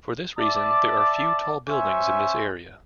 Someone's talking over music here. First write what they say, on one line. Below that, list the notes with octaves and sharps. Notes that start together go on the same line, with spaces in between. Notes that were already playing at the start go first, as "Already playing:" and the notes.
For this reason, there are few tall buildings in this area.
D5 E5 A5 D6
C#4 C5 E5 G#5 C#6